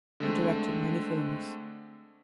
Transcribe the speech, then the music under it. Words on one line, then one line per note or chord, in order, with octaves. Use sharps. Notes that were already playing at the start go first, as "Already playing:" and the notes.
He directed many films.
D3 G#3 A3 C4